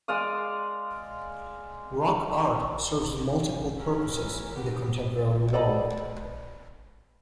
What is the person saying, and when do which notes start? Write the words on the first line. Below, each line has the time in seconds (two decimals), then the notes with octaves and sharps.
Rock art serves multiple purposes in the contemporary world.
0.08 G#3 D5 F5 D#6
3.42 C#3
3.78 E2 C#4 E4 A#4
4.55 G#2 B3 G4
5.53 A4 D5 D#5 B5